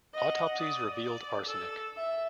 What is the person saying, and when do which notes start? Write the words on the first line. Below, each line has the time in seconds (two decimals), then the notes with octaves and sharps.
Autopsies revealed arsenic.
0.14 D#5 F#5
0.56 D5 D#6
0.93 D5
1.45 A4 E6
1.97 E5